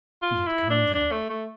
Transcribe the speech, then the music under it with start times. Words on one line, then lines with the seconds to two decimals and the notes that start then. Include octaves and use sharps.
He had come then.
0.22 F4
0.46 E4
0.70 D4
0.95 D4
1.12 A3
1.29 A3